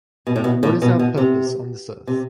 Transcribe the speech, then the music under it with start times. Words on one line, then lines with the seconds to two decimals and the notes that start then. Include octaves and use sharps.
What is our purpose on this earth?
0.27 B2
0.36 A2
0.44 B2
0.63 A2
0.82 B2
0.99 B2
1.18 C3
2.07 C3